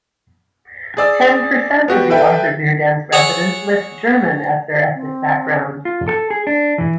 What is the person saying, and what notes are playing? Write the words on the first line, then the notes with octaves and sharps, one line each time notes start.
Ten per cent of the Arthur-Virden's residents list German as their ethnic background.
G#4 D5 E6
B3 F#4 G4
A4 B4 E5 G5 A5
G#4 C#5 E5 F#5
C4
F4
A4
G#4
D4
E3